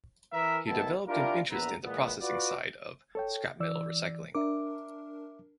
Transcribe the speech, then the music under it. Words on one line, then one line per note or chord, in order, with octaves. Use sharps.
He developed an interest in the processing side of scrap metal recycling.
E3 A#4 E5
B1 D#3 B3 E4 A4 A5
D4 E4 F4 G4 A#4
A#1 E2 B3 B4 E5 A#5
A#2 E3 G#3 B3
F4 F#4 B4 D5
A4 C#5 G5
E3 D5 E6
D4 A#4 E5 D6